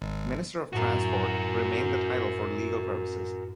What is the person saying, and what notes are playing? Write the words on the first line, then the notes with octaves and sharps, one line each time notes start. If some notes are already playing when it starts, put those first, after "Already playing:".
"Minister of Transport" remained the title for legal purposes.
G#1
F#2 A2 F#4 A#4